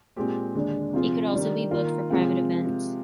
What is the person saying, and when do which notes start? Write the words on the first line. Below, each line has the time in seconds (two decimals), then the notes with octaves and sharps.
He could also be booked for private events.
0.16 A#2 G#3 C4 G4
0.55 D#2 D3 G#3 D4
0.93 C3 F3 C4 F4 G#4
1.32 D#3 G3 D4
1.71 D#3 A#3 F4 A#4
2.10 C3 F3 G#3 C4 F4